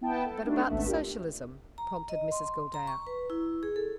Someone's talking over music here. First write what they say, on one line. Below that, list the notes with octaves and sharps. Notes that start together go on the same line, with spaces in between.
'But about the Socialism?' prompted Mrs Gildea.
B3 E4 G5 A5
A4
A3 D4 D#4 F#4
G#1 C#2 A3 B3 E5
D4 F4 G4 A#4
A#5
D#5
C6
A#5
C#6
B4
E4
G#4
A4